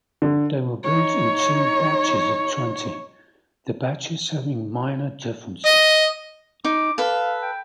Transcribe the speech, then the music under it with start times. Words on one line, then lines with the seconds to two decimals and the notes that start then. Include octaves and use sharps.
They were built in two batches of twenty, the batches having minor differences.
0.22 D3
0.83 D#4 C#5
5.66 D#5
6.65 D#4 D6
6.98 A4 B4 F5
7.42 G5